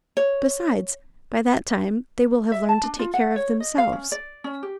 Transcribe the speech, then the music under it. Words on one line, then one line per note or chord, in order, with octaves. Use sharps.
"Besides, by that time they will have learned to take care of themselves."
C#5
E5
A5
D4
F4
F#5
C#5
D#5
F5
C#4
D5
C#4
G4